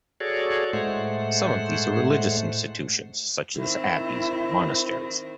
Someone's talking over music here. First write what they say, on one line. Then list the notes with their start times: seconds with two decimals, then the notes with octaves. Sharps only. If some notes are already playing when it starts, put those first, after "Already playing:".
Some of these are religious institutions such as abbeys and monasteries.
0.20 F#4 G#4 A4 C#5 D5
0.73 A2 G#3 A3 C5 F#5
3.56 D#3 C4 E4